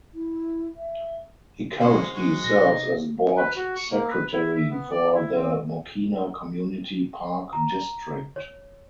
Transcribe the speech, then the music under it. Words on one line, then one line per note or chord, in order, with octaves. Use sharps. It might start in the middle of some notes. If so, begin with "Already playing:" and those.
He currently serves as board secretary for the Mokena Community Park District.
E4
E5
G#3 C#4 C5 F#5
G#3 F#4
F#3
A#2 A#6
C3 D#4
B4
F#4
C#6
A#3
B4
E4
E5
B3
D5
E4
C4
A#5
C#5